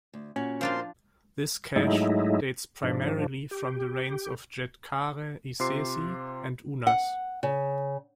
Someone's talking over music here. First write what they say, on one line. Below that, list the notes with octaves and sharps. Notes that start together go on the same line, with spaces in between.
This cache dates primarily from the reigns of Djedkare Isesi and Unas.
D2
A#2 C#4 F#4 F#5
F3 D4 F4 A#4 C5 C6
G#2 F#3 G#3 A3 D#4 E4
G#2 F3 D4
G4
C3 F4 C5 C6 D6 C7
F#5
C#3